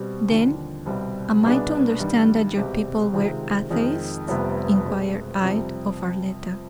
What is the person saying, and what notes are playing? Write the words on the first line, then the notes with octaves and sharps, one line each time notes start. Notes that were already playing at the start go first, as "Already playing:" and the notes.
"Then am I to understand that your people were Atheists?" inquired I of Arletta.
Already playing: B2 G3 C4 G4
D#2 D3 F3
C2 B2 G3 C4
C2 B2 B3 D4 G#4
G2 D#3 G3
C2 B2 G#3 C4 G4
C3 D#3 G#3 C4 F4
F2 D#3 G#3
F1 F2 C3 G3 B3
B2 G#3 C4
F2 C3 G3 C4